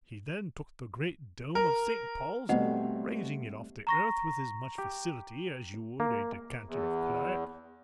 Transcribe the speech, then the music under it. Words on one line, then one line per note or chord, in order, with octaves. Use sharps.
He then took the great dome of St. Paul's, raising it off the earth with as much facility as you would a decanter of claret.
A#4
B2 G3 A3 C4 C5 D#5 F#5
A#5 C#6 A#6
G4
A#3
E2